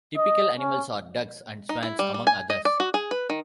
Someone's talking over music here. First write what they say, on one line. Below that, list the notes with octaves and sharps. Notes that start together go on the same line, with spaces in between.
Typical animals are ducks and swans among others.
D#5
C#4
D#4
E4
G3
G3
G#5
D#5
D5
F#4
G#4
B4
D#3